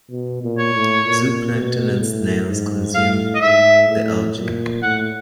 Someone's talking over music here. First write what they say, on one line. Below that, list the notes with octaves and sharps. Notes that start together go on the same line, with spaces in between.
Zooplankton and snails consume the algae.
B2
A#2
C#5
A2
A#2
B2
A2
G#2
A2 F5
D#5
G#2 E5
A2
A#2
A2 F#5